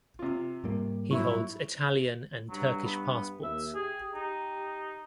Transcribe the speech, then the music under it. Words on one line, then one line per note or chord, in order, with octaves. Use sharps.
He holds Italian and Turkish passports.
C3 F4
G#2 G3 A#3
F#3 E4 C#6
G2 F#3
B3
D#2 E5
G4 G#4
D#4